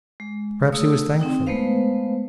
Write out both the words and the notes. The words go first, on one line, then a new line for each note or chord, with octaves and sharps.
Perhaps he was thankful.
G#3
A3 G#4 D#6 E6
C4 D#4 G5
G#3 A3 B3 B4 C5 F5